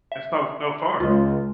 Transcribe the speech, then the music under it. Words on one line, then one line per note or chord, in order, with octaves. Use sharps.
it's no f no fun.
E5
C#2 G#3 F4